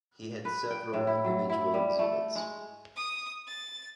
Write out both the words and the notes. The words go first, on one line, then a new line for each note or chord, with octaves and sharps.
He had several individual exhibits.
B4
G5
A2
E4
F#3
E4
G3
A3
G#3
D#6
A6